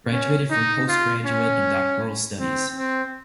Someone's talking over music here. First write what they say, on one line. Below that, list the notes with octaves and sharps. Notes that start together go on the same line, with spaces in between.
Graduated from postgraduate and doctoral studies.
C#4
D#4
F4
C#4
C4
C4